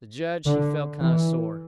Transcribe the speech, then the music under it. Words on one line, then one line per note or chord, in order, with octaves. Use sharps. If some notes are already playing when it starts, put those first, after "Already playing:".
The judge he felt kind of sore.
D3
E3